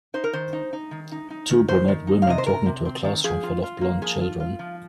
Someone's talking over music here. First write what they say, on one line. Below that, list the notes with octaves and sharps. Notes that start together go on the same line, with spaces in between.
Two brunette women talking to a classroom full of blond children.
D#4 C5
A#4
D#3 C5
D#4
D#4
D#3
D#4
D#4
D#3
D#3 C5
D#3
D#4
F5
C3 D#5
C5
C3 A#4
C3
C4
D#3
F3 G#4
F4
F4
A#3
F3 G#4
F4
F4
F3